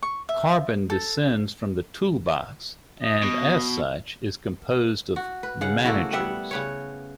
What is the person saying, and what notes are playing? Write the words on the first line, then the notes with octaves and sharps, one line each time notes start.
Carbon descends from the Toolbox, and as such, is composed of "Managers".
C#6
E5
A4
D#5
B2
F#4
B4
C#3 F5 F#5
A3 A#3 E4 F#4
G3 B3 E5 F#5
C#3 B4 C#5